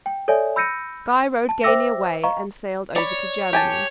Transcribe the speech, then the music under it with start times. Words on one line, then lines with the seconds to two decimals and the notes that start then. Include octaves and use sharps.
Guy rode gaily away and sailed over to Germany.
0.06 G5
0.28 A4 C#5 D5 E5 G#5
0.56 B5 E6 G6 A#6 C#7 D#7
1.49 A5
1.63 C5 E5 G5 D6 E6 A#6
2.24 D#5 F5 A#5 C#6
2.96 C#5 D5 B5
3.53 G4 G#5 A5